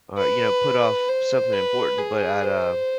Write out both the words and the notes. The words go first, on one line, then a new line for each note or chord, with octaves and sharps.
or, you know, put off something important, but I'd, uh
B4
C5
B4
G#4
C5